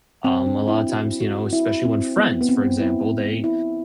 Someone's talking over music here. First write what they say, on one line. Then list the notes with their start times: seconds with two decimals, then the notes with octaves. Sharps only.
Um, a lotta times, you know, especially when friends, for example, they
0.24 C4
0.46 D4
0.68 E4
0.89 F#4
1.12 E4
1.21 F#4
1.53 E4
1.85 C4
2.17 B3
2.41 B3
2.49 C4
2.80 E4
3.44 E4